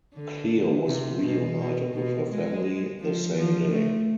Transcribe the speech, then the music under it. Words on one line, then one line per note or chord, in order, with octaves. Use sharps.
Cleo was reunited with her family the same day.
D3
C3
B2
B2
B2
G#3
F3
F3
A3